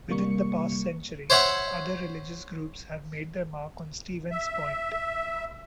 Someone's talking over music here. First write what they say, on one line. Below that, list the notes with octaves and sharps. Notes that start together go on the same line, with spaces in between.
Within the past century, other religious groups have made their mark on Stevens Point.
C3 G3 A#3 C#6 C#7
C5 C#5 E5 F#5 C#6
E5